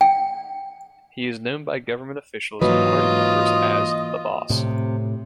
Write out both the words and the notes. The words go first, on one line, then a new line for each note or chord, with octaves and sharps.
He is known by government officials and party members as "the Boss".
G5
G#2 E3 F#3 A#3 F4 B4 D#5
A2 C3